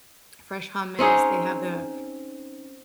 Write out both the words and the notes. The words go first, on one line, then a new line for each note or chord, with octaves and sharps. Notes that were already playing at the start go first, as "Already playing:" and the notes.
Fresh hummus, they have the
C4 C#4 D#4 G#4